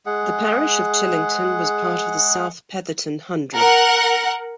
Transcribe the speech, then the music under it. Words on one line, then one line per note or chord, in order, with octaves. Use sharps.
The parish of Chillington was part of the South Petherton Hundred.
G#3 G#4 F#5
A#4 F#5